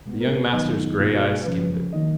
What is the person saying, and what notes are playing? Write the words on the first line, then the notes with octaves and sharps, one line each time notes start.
The young master's grey eyes skimmed it.
B2 G#3 B3
A#4
B4
D#3 F#3 B3 D#4 D#5
B2 A#3 D#4 F4
F#4
G#4
C#3 F3 G#3 C#4 B4
D#3 F#3 A#3 D#4 D#5